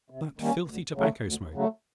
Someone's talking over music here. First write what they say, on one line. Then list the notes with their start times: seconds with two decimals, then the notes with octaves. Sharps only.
That filthy tobacco-smoke!
0.10 C3
0.39 D#3 G3 A#3 C#4
0.67 D2
0.95 C#3 F#3 A3
1.25 D2
1.54 C#3 F#3 A3